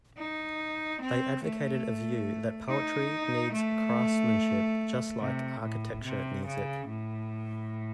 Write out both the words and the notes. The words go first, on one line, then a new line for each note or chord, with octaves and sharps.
They advocated a view that poetry needs craftsmanship just like architecture needs it.
D#4
C4
A3
D#4
A3
C3
A2
C3
C#3
A2